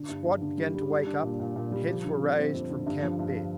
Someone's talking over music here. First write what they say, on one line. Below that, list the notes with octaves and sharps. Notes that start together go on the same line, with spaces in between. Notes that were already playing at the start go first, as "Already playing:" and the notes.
The squad began to wake up, and heads were raised from camp beds.
Already playing: D3
G2
G2
D3
G3
G3
G3
D4
A#2
A#2
A#2
G3
F3
D3
C4
C4
F2
D3
G2
F3
G2